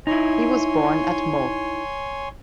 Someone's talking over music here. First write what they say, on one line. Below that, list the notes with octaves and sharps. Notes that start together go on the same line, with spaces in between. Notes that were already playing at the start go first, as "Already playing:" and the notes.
He was born at Meaux.
D#4 E4 C#5 G#5 C6